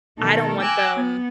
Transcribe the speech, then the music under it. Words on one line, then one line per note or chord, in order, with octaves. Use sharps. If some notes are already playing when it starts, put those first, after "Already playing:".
I don't want them
B2 D#3 A3 A4 A#4
G5 G#5 A#5 D6 E6 F#6
B3